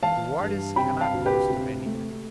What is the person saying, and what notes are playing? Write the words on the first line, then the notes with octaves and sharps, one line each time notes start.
"De Wardes cannot boast of anything."
E3 F5 A5
G2
C3 G5 B5
F5 A5
D2
G4 B4
C3
A3